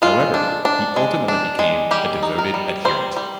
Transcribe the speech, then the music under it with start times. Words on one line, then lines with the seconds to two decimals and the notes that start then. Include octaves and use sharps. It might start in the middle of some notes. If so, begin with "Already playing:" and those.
However, he ultimately became a devoted adherent.
0.02 G#3 F4
0.34 D4
0.65 D4
0.96 G#3
1.28 D4
1.59 G#3
1.91 G3 G4
2.23 D#4
2.38 A#4
2.54 G3
2.85 G3 C5
3.16 G3